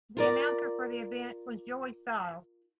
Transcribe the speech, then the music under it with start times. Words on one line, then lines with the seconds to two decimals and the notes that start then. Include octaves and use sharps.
The announcer for the event was Joey Styles.
0.17 F4 A#4 D5